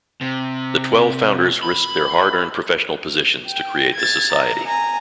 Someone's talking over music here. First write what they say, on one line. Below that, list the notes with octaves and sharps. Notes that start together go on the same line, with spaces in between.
The twelve founders risked their hard-earned professional positions to create the society.
C3
B5
G5
G#6 A6
A#5
G#5 A#5